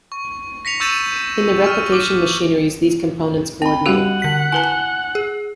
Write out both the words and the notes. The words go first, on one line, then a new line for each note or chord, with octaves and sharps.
In the replication machineries these components coordinate.
C#6
A#6 B6 C#7 F7
C#6 E6 G6 A6 D#7 E7
C#6 F6
D6
C4 G5 B5
G3 F#4 G4 F5 F#5 D#7
D3 B6 F#7
E4 B4 G#5 A5 G7
G#4